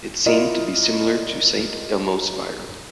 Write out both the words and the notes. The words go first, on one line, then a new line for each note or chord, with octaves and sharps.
It seemed to be similar to Saint Elmo's Fire.
E4 F4 A#4 D5 D#5